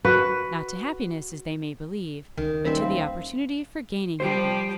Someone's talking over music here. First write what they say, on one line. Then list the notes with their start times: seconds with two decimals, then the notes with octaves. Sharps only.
Not to happiness, as they may believe, but to the opportunity for gaining happiness.
0.05 F#4 B4
2.37 C#2 D#3
2.65 D#1 C4 E5 B5
2.81 F5
4.20 F3 G3 G4 C5